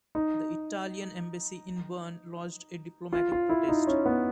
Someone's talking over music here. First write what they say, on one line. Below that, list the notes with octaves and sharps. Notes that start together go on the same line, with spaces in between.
The Italian embassy in Berne lodged a diplomatic protest.
D#4
F4
F4
E4
D#4
C#4
B3